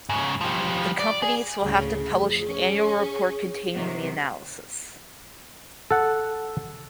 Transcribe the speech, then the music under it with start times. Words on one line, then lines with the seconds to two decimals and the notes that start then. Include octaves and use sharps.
The companies will have to publish an annual report containing the analyses.
0.09 G#2 C#3
0.41 F3 G3
0.99 D5
1.22 G#4
1.60 D2 A2 C#3 G#4
2.12 F2
2.45 C#4
3.75 C3 D#3 F#3
5.91 A4 F#5